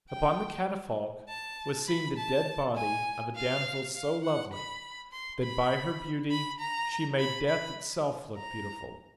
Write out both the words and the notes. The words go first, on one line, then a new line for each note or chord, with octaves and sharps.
Upon the catafalque was seen the dead body of a damsel so lovely that by her beauty she made death itself look beautiful.
G5
A5
B5
A5
G#5
F5
F5
F#5
B5
C6
B5
B5
A#5
B5
B5
A#5